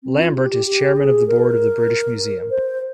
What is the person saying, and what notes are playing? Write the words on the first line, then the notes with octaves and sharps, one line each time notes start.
Lambert is Chairman of the board of the British Museum.
C4
F4
G4
G4
G4
G#4
A#4
C5